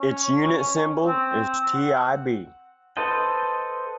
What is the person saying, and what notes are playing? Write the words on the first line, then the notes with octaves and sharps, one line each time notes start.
Its unit symbol is TiB.
C#4
C4
F#5
A4 B4 C5 D#5 G5